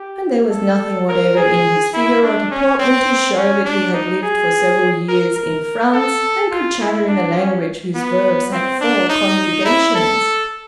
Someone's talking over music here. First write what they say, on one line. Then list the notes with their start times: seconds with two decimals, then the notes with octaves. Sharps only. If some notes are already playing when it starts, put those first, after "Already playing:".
And there was nothing whatever in his figure or deportment to show that he had lived for several years in France and could chatter in a language whose verbs had four conjugations.
Already playing: G4
0.50 A4
1.08 A#4
1.37 G#4
1.94 E4
2.22 D4
2.51 C#4
2.79 C4
3.36 C#4
3.65 D4
3.94 D#4
4.23 G#4
5.08 A#4
5.37 A#4
5.94 A4
6.51 F4
6.80 E4
7.08 D4
7.37 C#4
7.95 B3
8.51 C4
8.80 D4
9.09 D#4
9.65 E4
9.95 A4